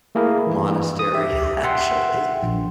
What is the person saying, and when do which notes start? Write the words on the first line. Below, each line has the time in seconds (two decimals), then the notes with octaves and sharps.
monastery, actually.
0.15 A3 A#3 E4 G#4 A#4
0.47 E3
0.99 D#6
1.13 G4 E5
1.63 E5 F#5 G5 C6
2.43 A#1